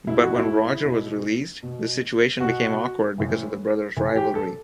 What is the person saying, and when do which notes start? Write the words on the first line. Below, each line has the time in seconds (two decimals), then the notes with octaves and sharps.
But when Roger was released, the situation became awkward because of the brothers' rivalry.
0.07 B2 E4
0.22 F#4
0.35 E4
0.85 B2
1.63 B2
2.40 B2 F#4
3.18 A2 E3
3.97 A2 E3
4.15 G4
4.35 A4